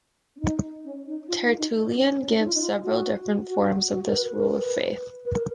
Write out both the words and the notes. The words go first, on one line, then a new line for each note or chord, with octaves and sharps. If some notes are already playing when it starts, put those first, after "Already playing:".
Tertullian gives several different forms of this rule of faith.
C#4
D#4
C#4
D#4
F4
D#4
D#4
C#4
C#4
D#4
F4
D#4
F4
F#4
F#4
F#4
A#4
B4
A#4
B4
B4
A#4